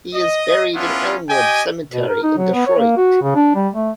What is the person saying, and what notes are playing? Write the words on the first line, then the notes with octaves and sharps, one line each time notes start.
He is buried in Elmwood Cemetery in Detroit.
D#5
B3 C#4 D4 E4 F4
G4 D#5 G5 G#5
B2
A#4
D#4
F#3
B3
C#5
A#3
F#4
C#3
D4
G3
A3